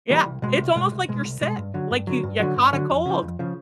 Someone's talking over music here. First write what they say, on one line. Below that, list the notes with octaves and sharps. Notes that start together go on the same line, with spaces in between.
yeah, it's almost like you're sick, like you you caught a cold.
E3 G3 A#3
C2
B2 G#3
C2
B2 G#3
C2
B2 G#3
C2
B2 G#3
G2
D3 F#3
G2
D3 F#3
G2
D3 F#3
G2
D3 F#3
F2
C#3 F3
F2
C#3 F3